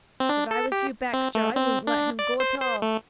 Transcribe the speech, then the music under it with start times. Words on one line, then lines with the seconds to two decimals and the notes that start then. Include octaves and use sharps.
"If I was you, Baxter, I wouldn't let him go at all."
0.20 C4
0.29 D4
0.51 A4
0.72 G4
1.13 C4
1.35 A3
1.56 C4
1.87 D4
2.19 D5
2.40 C5
2.61 C5
2.82 A3